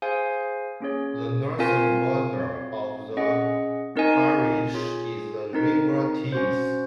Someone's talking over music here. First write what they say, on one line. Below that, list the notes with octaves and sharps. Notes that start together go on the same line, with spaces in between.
The northern border of the parish is the River Tees.
G#4 C5 F5 G#5
A#3 C#4 G#4 C#5
C4 F4 A#4 F5 G#5
C4 F#4 C#5 F5
C#4 G#4 D#5 F#5
C4 D#4 A#4 D#5 G#5
F4 G#4 C#5 G#5
C4 D#4 A#4
C#4 F#4 C5